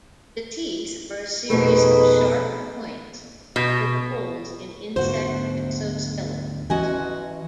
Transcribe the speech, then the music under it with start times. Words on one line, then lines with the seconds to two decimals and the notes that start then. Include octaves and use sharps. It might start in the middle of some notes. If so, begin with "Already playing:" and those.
The teeth are a series of sharp points to poke holes in insect exoskeletons.
1.50 F2 B2 A3 D#4 G#4 B4
3.56 B2
4.96 D2 G#2 B3 F#4 C5
6.70 E3 C#4 F#4 D#5 G#5